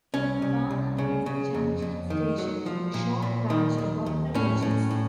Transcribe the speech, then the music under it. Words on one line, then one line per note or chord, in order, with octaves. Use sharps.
Barnham is the junction station for the short branch to Bognor Regis.
C2 C#4
C2
C2
C#3
C#3
F2
F2
D#3
F#3
F3
A#2
A#2
D#3
D#2
D#2
A2 C#4
A2
A2